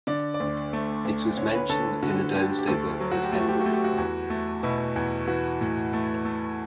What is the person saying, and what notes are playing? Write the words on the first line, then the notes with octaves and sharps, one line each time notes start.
It was mentioned in the Domesday Book as "Henberie".
D3 D5
D5
D2
A3
D2
D3 C#5
C#5
B4
D3 A4
D3 F#4
D3 G4
G4
D2 A4
A4
F#3
F#4
G4
A3 F#4
G4
A3 F#4
G4
F#4
E2
A3
B2 E4
E2
E3 F#4
A2
A3
A3